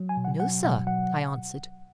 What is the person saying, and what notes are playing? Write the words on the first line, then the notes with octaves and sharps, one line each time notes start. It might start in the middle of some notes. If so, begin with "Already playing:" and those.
"No, sir," I answered.
Already playing: F#3
G#5
B2
F#5
F#3 F#5
B2 F#5
F#3 F#5